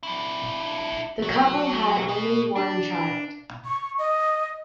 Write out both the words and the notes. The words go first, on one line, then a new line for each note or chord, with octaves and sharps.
The couple had only one child.
D4 E4
F#3
B2
D4
C#6
D#5